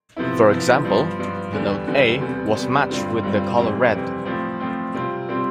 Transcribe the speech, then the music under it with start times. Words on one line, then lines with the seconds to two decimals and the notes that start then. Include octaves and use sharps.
For example, the note A was matched with the colour red.
0.16 C3 F3 B3 E4
0.51 C3 F3 B3 E4
0.85 G2 F3 B3
1.19 G2 F3 B3
1.53 E2 D3 G3 B3
1.87 E2 D3 G3 B3
2.21 E2 C3 G3 B3
2.55 E2 C3 G3 B3
2.89 G2 D3 G3 C4 F4
3.23 G2 D3 G3 C4 F4
3.57 F2 C3 E3 G3 C4
3.92 F2 C3 E3 G3 C4
4.25 A2 F3 C4 F4
4.60 A2 F3 C4 F4
4.94 C3 G3 C4 F4
5.29 C3 G3 C4 F4